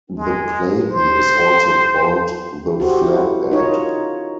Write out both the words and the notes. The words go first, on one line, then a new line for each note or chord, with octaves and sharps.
The platen is also called the flatbed.
G#3
C5
F#4 G4 C5
E4
D#4 F4 A#4 C#5 D#5